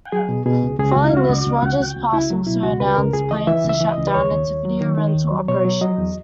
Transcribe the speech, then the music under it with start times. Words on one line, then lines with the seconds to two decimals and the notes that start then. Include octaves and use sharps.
Following this, Rogers Plus also announced plans to shut down its video rental operations.
0.12 F#3 G#4
0.29 B2
0.46 B2 G#4
0.63 C#2
0.79 C#2 G#4
0.91 F#4
0.97 C#2
1.04 E4
1.13 C#2 F#4
1.29 C#2
1.46 C#2
1.63 C#2
1.79 C#2
1.97 C#2
2.13 C#2 E4
2.30 F#3
2.47 B2 E4
2.63 C#2 F#4
2.80 C#2 B4
2.97 C#2 A#4
3.13 C#2 G#4
3.31 E3 D#5
3.47 E3 E5
3.64 C#2
3.69 E5
3.81 E3
3.92 D#5
3.97 C#2
4.07 B4
4.14 D#2 C#5
4.31 D#2
4.48 D#2
4.65 F#3
4.81 D#3
4.98 D#3
5.15 D#2
5.32 F#3
5.48 B2 C#5
5.65 F#3
5.81 F#3 D#5
5.98 E2